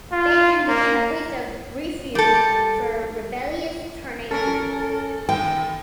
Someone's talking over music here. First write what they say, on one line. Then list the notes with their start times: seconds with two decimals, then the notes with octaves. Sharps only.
Bacan became a place of refuge for rebellious Ternateans.
0.12 F4
0.68 A#3
2.15 G3 A4
4.31 C#4 A4 A#4
5.29 D#3 G5